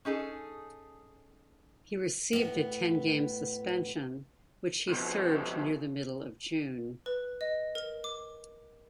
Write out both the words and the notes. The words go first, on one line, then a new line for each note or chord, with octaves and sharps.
He received a ten-game suspension, which he served near the middle of June.
C#4 D#4 G#4 A4
A2 B3
F2 B2
B4
D#5
A#4
D6